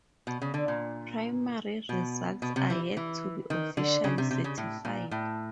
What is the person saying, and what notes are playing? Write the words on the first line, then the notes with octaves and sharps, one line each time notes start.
Primary results are yet to be officially certified.
B2
C#3
D3
A#2
B2
B2
C3
E3
E3
D#3
D3
C#3
C3
C3
C#3
A2
A#2
A2